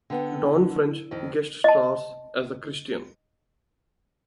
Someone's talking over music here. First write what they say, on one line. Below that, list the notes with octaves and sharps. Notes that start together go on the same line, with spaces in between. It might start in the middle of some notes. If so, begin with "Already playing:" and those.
Dawn French guest stars, as the Christian.
D3 B3 B4 G5
E4
F2 D#3
D#5 A5